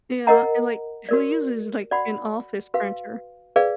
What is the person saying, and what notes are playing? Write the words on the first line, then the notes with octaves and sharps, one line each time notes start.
Yeah, and, like, who uses, like, an office printer?
A#4 D#5 F#5 A#5
F#4 A#4 D5
F#4 D5 F#5 B5
F#4 B4 F5
G#4 B4 D5 F5